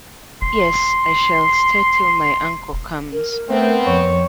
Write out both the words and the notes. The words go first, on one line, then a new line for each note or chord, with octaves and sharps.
Yes, I shall stay till my uncle comes.
E1 C6
A#4
A3 B3 C4
F2 C#5